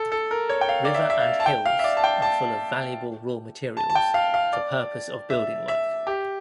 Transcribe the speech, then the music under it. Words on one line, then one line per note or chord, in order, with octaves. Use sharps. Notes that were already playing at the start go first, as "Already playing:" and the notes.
River and hills are full of valuable raw materials for purpose of building work.
Already playing: A4
A4
A#4
C#5
G5
F5
D5
E5
E5
F5
A5
G5
F5
E5
D5
A5
G5
A5
A5
A5
G5
F5
F5
D5
E5
E5
G4